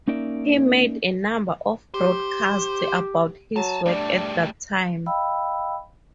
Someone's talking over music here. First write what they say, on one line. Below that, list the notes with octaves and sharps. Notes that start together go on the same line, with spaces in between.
He made a number of broadcasts about his work at that time.
A#3 C#4 D#4 A#4 D5 E5
G4 C5
F#3 G#5 A5
G3 A3 D4
D#5 F5 G5 B5 E6